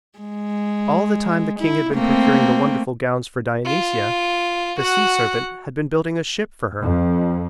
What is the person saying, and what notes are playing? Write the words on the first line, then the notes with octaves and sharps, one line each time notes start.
All the time the king had been procuring the wonderful gowns for Dionysia the sea serpent had been building a ship for her.
G#3
E4
A3 A#3 C4
F4
F#4 F#5
F2